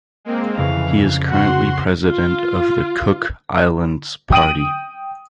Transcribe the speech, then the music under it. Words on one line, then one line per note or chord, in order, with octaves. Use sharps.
He is currently president of the Cook Islands Party.
G#3 A#3 C4
F2 C#3 E3 D#5 F5
F#4 F#5 C6
F4
G5 D#6 D7 D#7 F#7